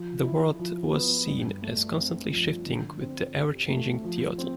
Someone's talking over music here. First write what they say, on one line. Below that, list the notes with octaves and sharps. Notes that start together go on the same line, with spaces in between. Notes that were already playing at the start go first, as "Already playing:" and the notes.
The world was seen as constantly shifting with the ever-changing teotl.
Already playing: F3
E4
F3
B3
G2
A3
C4
F3
D3
C4
G4
A3
F3
C4